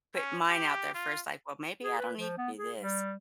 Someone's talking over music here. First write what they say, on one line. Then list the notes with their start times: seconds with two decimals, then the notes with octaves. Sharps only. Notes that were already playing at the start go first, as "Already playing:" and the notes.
put mine out there first, I "Well maybe I don't need to do this,
0.15 C#4
0.49 G4
0.94 F4
1.82 G#4
1.98 B4
2.18 F3
2.38 B3
2.57 G#4
2.79 G3